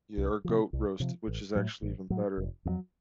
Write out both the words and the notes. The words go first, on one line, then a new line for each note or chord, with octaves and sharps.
Yeah, or goat roast, which is actually even better.
C2
C3 F3
C2
C3 F3
A1
A2 F#3
A1
A2 F#3
F1
F2 C3 F#3